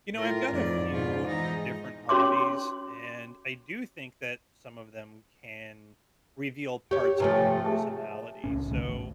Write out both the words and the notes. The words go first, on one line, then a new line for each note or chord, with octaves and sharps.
you know, I've got a few different hobbies, and I do think that some of them can reveal parts of my personality, so,
A2 F4 A#4
F2 G#2 D5
G#2 B2 F4
E3 D#4
C#4 F#4 C#5 C6 D6
G4 C#5 C#6
C3 F3 A3 B4 C#5 G#5
G5 G#5
G4
G#4 E5 A5
C#2 A2 C#4
C#2 B2 D#3 A3
G#1